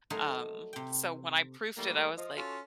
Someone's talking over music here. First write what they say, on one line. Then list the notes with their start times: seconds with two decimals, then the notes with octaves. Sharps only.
um, so when I proofed it, I was like,
0.10 F#3 A3 D#4 A#4 C5
0.73 C3 G5
1.77 D#3 G3 A3 A#3
2.16 F3 D#5
2.37 C#4 F4 F#4 A4